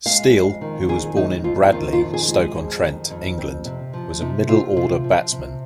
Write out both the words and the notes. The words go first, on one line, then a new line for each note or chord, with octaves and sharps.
Steele, who was born in Bradeley, Stoke-on-Trent, England, was a middle-order batsman.
G#3 F5
F2
D#3
F2 G#4
G#3 D#4
F2 F4
D#4
D#3 F4
F4
F2
G#4
G#3
G#4
F2
D#3
F2
C4
C3
F3
C3 D#4
C4 F4
C3 F4
F3
C3